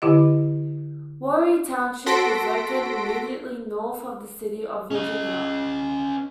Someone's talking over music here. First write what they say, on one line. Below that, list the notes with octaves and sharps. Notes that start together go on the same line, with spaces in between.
Wuori Township is located immediately north of the city of Virginia.
D3 E4 G4 D#5
F#4 A4 C6 A#6 B6 D7
C#4 D#5